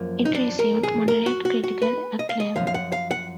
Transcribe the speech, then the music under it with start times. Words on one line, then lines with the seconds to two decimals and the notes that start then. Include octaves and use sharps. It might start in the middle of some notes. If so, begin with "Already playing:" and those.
It received moderate critical acclaim.
Already playing: F#2 F3 A#3
0.25 D#4
0.35 D4
0.59 A#4
0.83 G#4
1.08 A#4
1.26 F#4
1.45 F#4
1.64 F#4
1.82 B4
2.19 D#5
2.29 F5
2.40 D#5
2.56 F#2 F3 F5
2.67 F5
2.74 F#5
2.92 F5
3.11 F#5